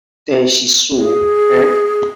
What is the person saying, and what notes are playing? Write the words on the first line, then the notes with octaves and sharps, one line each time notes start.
Tenshi Sou, en.
G#4